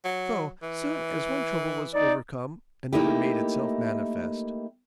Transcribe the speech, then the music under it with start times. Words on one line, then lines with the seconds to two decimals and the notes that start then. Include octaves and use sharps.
So soon as one trouble was overcome another made itself manifest.
0.05 F#3
0.62 E3
1.94 D#4 D5
2.93 A3 A#3 D#4 E4 G4